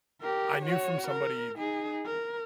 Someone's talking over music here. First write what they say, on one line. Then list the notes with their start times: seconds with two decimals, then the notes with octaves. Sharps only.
I knew from somebody,
0.21 G4 A#4
0.62 F#4 C#5
1.08 A#4
1.57 D#4 G#4
2.06 A#4